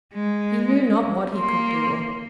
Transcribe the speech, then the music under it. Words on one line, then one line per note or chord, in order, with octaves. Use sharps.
He knew not what he could do.
G#3
A#3 C6